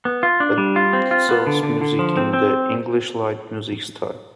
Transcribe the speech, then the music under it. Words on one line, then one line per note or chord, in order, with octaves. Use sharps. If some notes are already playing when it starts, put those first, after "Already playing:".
Addinsell's music is in the "English light music" style.
B3
F4
D4
G3
F4
C4
F4
B3
D3
D3
D3
F3
C4
C4